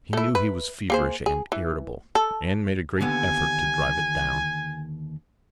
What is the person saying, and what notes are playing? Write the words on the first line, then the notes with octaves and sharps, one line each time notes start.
He knew he was feverish and irritable, and made a great effort to drive it down.
A3 E4
B4
A#3 G#4 C5
G#4
E3
A4
D#2 D3 B3 G#5